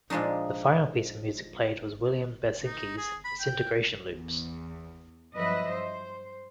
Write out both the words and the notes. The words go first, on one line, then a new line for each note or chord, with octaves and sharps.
The final piece of music played was William Basinski's "Disintegration Loops".
A#2 F3 G#3 D4 D#4
D#4
G#4
B5
G5
E2
G2 F3 F#3 B4 D#5 E5
C5